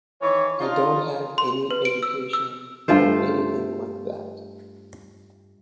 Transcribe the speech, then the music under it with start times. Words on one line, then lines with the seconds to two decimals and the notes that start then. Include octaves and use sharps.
I don’t have any education or anything like that.
0.22 D#3 E3 C#5
0.59 D4 D#4 F4
1.38 C6
1.71 B4
1.85 D7
2.03 E6
2.33 E6
2.88 G2 A3 F4 C5